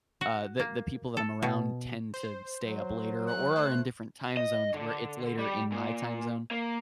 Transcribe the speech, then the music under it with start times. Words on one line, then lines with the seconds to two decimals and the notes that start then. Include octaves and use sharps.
uh, the the people that I'm around tend to stay up later or are in different time zones where it's later in my time zone,
0.21 F#4
0.60 A#3
1.17 A4
1.42 B2
2.14 C5
2.63 F#3
3.27 F#6
3.56 A3 C5
4.37 D#5
4.74 D3
5.38 G3
5.72 A#2
6.51 A#3